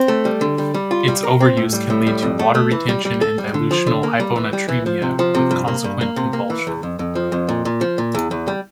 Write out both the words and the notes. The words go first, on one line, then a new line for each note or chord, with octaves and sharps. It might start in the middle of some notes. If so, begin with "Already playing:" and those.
Its overuse can lead to water retention and dilutional hyponatremia with consequent convulsion.
Already playing: C4
A3
G3
D3
G3
G3
F4
G3
A#4
C4
A2
G3
A2
G3
F2
A3
A3
E3
G3
G3
A4
G3
D3
F3
D3
A#3
G3
E3
G3
E3
F3
C3
F3
C3
G2
A#3
G2
A#3
C3
A#3
E3
E2
F2
F2
F3
F2
A#2
A#2
F3
A#2
E2
E2
G3